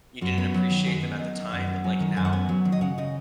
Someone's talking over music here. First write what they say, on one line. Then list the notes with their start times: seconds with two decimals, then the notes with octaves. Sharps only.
you didn't appreciate them at the time, but, like, now,
0.21 F#2 F#4
0.38 B3
0.54 F#3
0.70 D#3
0.86 F#2 G#4
1.03 B3
1.19 F#3 D#5
1.36 D#3
1.52 F#2 F#5
1.68 B3
1.84 F#3 G#5
2.00 D#3
2.17 F#2 G#5
2.25 F#5
2.33 B3 G#5
2.49 F#3
2.65 D#3
2.72 D#5
2.81 C#3 F#5
2.98 C#3 D#5